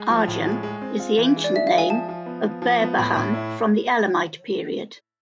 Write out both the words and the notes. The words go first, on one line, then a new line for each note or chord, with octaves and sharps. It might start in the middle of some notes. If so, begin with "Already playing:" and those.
Arjan is the ancient name of Behbahan from the Elamite period.
Already playing: G#3
F3
A2
G#3
G#3
C4
F4
E3
G#3
D5
G#3 E5
F5
G#3
G#5
F3 A5
F3
B3
F3
F3
B3
A2 B5
A2
E4